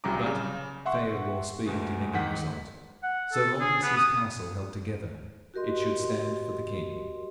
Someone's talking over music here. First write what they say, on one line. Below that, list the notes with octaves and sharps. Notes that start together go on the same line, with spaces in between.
But, fail or speed in any result, so long as his castle held together, it should stand for the king.
C2 C#3 F#3 G3 A#5 D6
C#3
E5 F#5 C6 C#6
D2 B2 G#3
G#2 D#3 F#5 B6
F#5
A4
G#4
B3
D#6
F#4 G4 A#4 D#5 C6